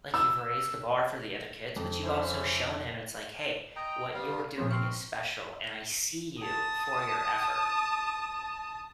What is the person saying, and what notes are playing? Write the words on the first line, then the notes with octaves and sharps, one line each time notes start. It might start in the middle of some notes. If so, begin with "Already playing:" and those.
like, you've raised the bar for the other kids, but you've also shown him it's like, "Hey, what you're doing is special, and I see you for your effort."
E6
F2
C#4 E4 C5
D#5 G5 A#5
G3 B3 F5
A#2 F3 C4 C5
C4 A#4 C#6 C7
A5 D#6